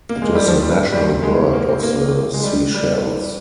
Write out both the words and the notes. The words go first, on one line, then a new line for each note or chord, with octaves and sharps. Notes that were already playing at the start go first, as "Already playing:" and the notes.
It is the national bird of the Seychelles.
A#3
G#3
G3
F3
G3
G3
G#3
A#3
C4
A#3
G#3
G3
G3